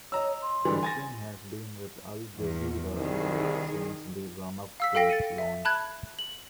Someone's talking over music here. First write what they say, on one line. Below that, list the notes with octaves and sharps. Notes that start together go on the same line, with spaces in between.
Rushing has been with Al Jazeera English since the run-up to its launch.
C#5 D#5 A#5 E6
C6
D3 E3 G3
G#5 A6 A#6
E2
C2 D#3 G#4
F5 E6 B6
A4 F5 G5 A#6 B6
A6 C#7 D#7
E5
A5 B5 F#6 G#6
F#7